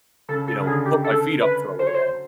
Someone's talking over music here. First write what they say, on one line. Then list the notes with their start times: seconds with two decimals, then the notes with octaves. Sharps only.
you know, put my feet up for a little while.
0.29 C#3 A4
0.48 A4
0.59 C#3
0.66 D3 G#4
0.85 G4
1.04 A4
1.41 B4
1.79 F#3 C5
1.87 C#5
1.94 C5